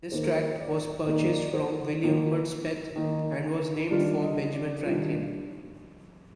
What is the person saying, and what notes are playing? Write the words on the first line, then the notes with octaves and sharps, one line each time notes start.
This tract was purchased from William Hudspeth and was named for Benjamin Franklin.
D#3 A#3 D#4 C5
A#4
C5
D5
D#3 A#3 D#4 D5
D5
C5
D#3 A#3 D#4
D#3 A#3 D#4
D#3 G3 D4 F4 D5
D#5
D5
D#3 G3 D4 F4